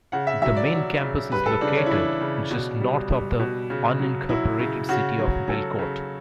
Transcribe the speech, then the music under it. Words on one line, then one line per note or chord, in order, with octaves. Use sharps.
The main campus is located just north of the unincorporated city of Belcourt.
C#3 F#5
E5
F#3 E5
D5
F#3
C#3
G3 B4
A4
C#3 D4
C#4
E4
E3 D4
C#3
B2
G3
G3
B2
C#3
F#3
F#3 E4
C#3
C#3 F#4
F#3
F#3 A4
C#3